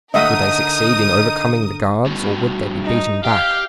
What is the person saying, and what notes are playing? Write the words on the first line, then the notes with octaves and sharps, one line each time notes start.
Would they succeed in overcoming the guards, or would they be beaten back?
D3 A3 D#4 A#4 D#5 E5 F#5 D#6
G2 B2
D#4
G4 F5